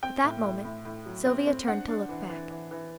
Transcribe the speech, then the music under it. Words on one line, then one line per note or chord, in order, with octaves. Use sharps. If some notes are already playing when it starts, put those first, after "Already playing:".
At that moment Sylvia turned to look back.
C4 G5
A2
A2
A2
A2
F#3
C4
C4
D4 F#5
D4
E3
E3
E3
E3